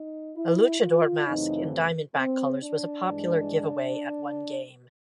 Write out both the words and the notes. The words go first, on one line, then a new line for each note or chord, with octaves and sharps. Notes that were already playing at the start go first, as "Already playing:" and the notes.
A luchador mask in Diamondback colors was a popular giveaway at one game.
Already playing: D#4
E4
F4
F#2 C#3 E3 A3 C4 D#4
C4
D4
G2 E3 G#3